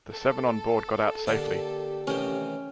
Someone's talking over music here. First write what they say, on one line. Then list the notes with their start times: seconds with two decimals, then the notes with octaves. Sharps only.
The seven on board got out safely.
0.11 A4
1.27 D3 A#3 D4 G4
2.07 A1 C3 D#3 C#4 G5